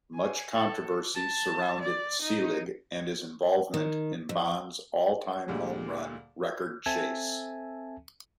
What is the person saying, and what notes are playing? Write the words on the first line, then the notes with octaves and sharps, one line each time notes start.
Much controversy surrounded Selig and his involvement in Bonds' all-time home run record chase.
G#5
A4
A5
D5
D#4
D#3
F2
D2 A#2 D3 G3 G#3
C4 A4 E5 G#5 A5